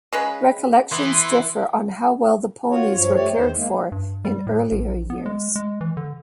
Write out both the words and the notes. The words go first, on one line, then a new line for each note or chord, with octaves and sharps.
Recollections differ on how well the ponies were cared for in earlier years.
C#3 G#3 B4
E3 B3 C6
F4 F#4 C#5
G2 F3 C#5
A3 G4 C#5 D5
E2 D#3 C5
G#3 A#3
G2
G3
A2
A#1
B3
G#3
G#3
E3
D3